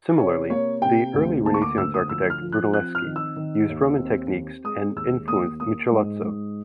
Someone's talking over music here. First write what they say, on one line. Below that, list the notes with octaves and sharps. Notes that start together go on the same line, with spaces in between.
Similarly, the early Renaissance architect Brunelleschi used Roman techniques and influenced Michelozzo.
C3 C#5
A#3 C#5
C3 G5
D2
A#3 A5
C#6
D6
D2 E6
D#6
F3 E6
F6
F3
F#6
C4 F#6
F6
D#3
E6
D#3
D#2
C4
C4
G#3 D#6
D#2 E6
A#3 D#6
A#3 D#6
G#2
G#2